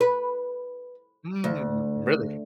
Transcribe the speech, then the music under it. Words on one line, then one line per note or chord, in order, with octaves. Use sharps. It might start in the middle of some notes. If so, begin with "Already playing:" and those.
Mm, really?
B4
D2